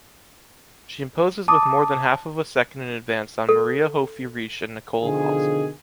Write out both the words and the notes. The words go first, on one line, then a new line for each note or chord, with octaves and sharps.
She imposes with more than half of a second in advance on Maria Hofi-Riesch and Nicole Hosp.
A5 D6 D#6
A4
B2 D3 D#3 F3 G#4